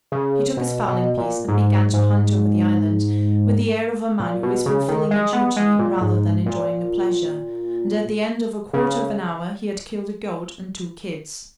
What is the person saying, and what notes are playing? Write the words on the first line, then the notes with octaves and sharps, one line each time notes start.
He took his fowling-piece, and began to hunt over the island with the air of a man who is fulfilling a duty, rather than enjoying a pleasure; and at the end of a quarter of an hour he had killed a goat and two kids.
C#3
B2
B2
A#2
G#2
G#2
A#2
B2
C#3
D#3
G#3
B3
G#3
A#2
G#2
A#2
C#3